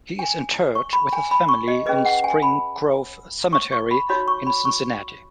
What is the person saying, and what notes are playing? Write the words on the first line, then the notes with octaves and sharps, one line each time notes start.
He is interred with his family in Spring Grove Cemetery in Cincinnati.
G#5
C#6
B5
G#5
B5
C#6
D#5
C#4 G#4 B4 D#5
F#5
G#5
B5
C#6
C#6
B5
D#4 F#4 C#5 B5
C#6
B5
C#6